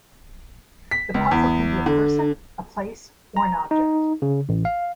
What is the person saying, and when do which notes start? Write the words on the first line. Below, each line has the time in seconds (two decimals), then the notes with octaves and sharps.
The puzzle can be a person, a place or an object.
0.91 B6
1.14 C#2
1.31 E2
1.86 D3
3.37 A#5
3.71 D#4
4.22 C#3
4.49 A1
4.65 F5